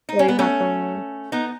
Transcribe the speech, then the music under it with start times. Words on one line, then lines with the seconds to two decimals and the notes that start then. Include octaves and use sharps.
what do you have going on.
0.09 D#4
0.19 C#4
0.28 B3
0.39 A3 C#4
1.32 B3 D#4